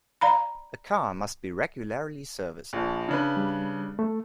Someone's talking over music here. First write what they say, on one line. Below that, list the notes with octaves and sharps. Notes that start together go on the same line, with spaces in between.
A car must be regularly serviced.
D5 F5 A#5 B5
A#1 F3
C#3 D4 B4
G3
A3